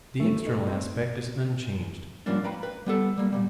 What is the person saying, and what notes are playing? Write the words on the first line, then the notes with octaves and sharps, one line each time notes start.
The external aspect is unchanged.
A3
D#4
C4
G#2 F3 G3 A#3 C#4 D4
B4 F5 G5 A#5 B5
B4
G3 B3 A4
G3 A#3
A#2 D#3 G3